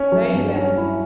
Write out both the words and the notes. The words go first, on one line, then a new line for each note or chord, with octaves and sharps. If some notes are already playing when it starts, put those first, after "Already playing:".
'Very well.
Already playing: C#4
F#3
G2
C#4
E4